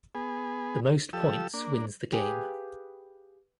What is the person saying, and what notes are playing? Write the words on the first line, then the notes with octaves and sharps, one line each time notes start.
The most points wins the game.
B3 G#4
F3 G4 A4 E6
A#3 D4
G4 G#4 B4 F5